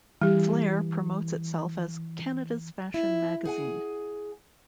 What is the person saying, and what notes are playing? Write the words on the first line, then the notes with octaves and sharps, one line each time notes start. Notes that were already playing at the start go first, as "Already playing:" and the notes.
"Flare" promotes itself as "Canada's Fashion magazine".
E3 G3 G4
E4
G#4 F#5 G#5